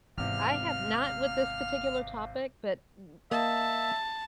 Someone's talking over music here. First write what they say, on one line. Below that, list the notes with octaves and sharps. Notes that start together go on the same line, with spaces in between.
I have not with this particular topic, but y
G#1 E2 C3 F5 F6
A#3 D#5 E5 A5